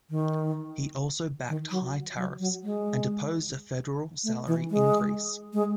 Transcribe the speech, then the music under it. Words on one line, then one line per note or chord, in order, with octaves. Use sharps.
He also backed high tariffs and opposed a federal salary increase.
D#3
D#3
F#3
F#3
F#3
G#3
A3
E3
G#3
G#3